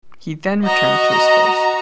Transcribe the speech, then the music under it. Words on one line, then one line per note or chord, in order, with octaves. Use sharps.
He then returned to his post.
F#4 D#5 A#5